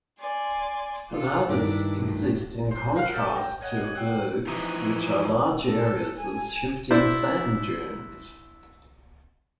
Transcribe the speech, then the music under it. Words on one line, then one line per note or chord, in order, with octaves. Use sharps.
Hamadas exist in contrast to "ergs", which are large areas of shifting sand dunes.
D5 G#5 C6
F4 A4
G2 D#3 D4 E4 D6
A2 F#3
C5
A#4 F5 F#5 F6
D#4 A4 E5
D#5 G5
C#5 D#5 F#5 G#5
C4 F#5
E3 F3 D#4
A4
G#5
D4 E4 C5